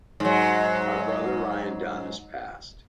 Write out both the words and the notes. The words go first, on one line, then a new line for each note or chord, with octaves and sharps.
Our brother Ryan Dunn has passed.
G#2 F#3